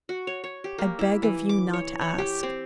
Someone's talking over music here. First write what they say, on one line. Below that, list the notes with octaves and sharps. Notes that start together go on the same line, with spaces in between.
I beg of you not to ask.
F#4
C#5
C#5
G4
A#3
E4
E3
D6
C#5
C#5
G4
C4